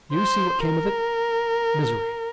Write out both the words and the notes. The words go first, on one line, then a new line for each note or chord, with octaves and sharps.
"You see what came of it--misery."
C5
A#4